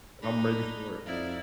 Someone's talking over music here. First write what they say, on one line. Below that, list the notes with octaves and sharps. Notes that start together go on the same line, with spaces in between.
I'm ready for it.
D4 D#4 B5
F2 D#4 E4 D5 F5